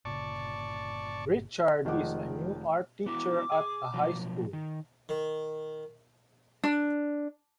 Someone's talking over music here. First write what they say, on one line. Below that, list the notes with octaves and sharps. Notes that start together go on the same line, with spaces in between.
Richard is a new art teacher at a high school.
G1 A#2 C#3 D5 A5 C#6
F1 D#3 F3 G#3 F#5 D6
B3 E4 F#4 D6
G#4
B2 F3 F#3
D#3
D#3
D4